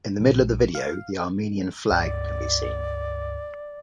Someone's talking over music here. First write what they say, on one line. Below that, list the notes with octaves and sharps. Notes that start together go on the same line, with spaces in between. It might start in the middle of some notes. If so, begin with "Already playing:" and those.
In the middle of the video the Armenian flag can be seen.
A#1
F5
C#2 G2 D5 A6